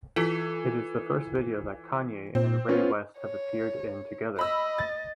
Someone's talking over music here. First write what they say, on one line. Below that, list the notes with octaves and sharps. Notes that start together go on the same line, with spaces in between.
It is the first video that Kanye and Ray West have appeared in together.
E3 F4 A4
A#2 C4
B3 C#4 F4 C#5
C#5
D#5 B5 E6
A6